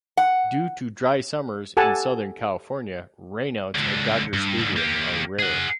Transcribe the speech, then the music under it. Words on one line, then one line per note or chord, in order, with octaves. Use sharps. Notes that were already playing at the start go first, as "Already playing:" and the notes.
Due to dry summers in Southern California, rainouts at Dodger Stadium are rare.
F#5
G4 A4 F#5 G#5 A5
C#2 D3
G2
G#2 D3
A#3 G4
G#4 F#5